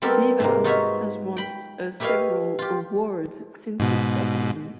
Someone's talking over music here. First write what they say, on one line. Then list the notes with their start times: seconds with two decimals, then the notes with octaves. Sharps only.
Viva has won a several awards since its opening.
0.02 G3 B3 C4 G4 A4 A#4
0.40 G#2 C3 A#3
0.64 D#4 F4 F#4 B4 C#5 E5
1.37 G5 B5
2.00 E4 G4 B4 C#5 D#5 F5
2.59 F4 G4
3.80 G#2 B2